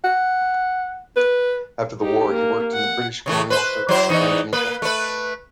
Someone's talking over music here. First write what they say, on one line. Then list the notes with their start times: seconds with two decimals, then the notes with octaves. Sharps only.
After the war he worked in the British Colonial Service in Tanganyka.
0.04 F#5
1.16 B4
2.00 D#4 G4
2.29 A#3
2.73 F#5
3.26 C#3 E3 A3
3.50 B4 C5
3.89 F#3 E4 C5
4.09 E2 E3 D#4
4.53 A#3 B4
4.82 A3 B4